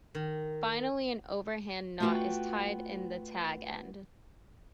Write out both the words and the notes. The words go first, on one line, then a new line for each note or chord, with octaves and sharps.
Finally, an overhand knot is tied in the tag end.
D#3
A3 B3 F4 F#4 B4 G5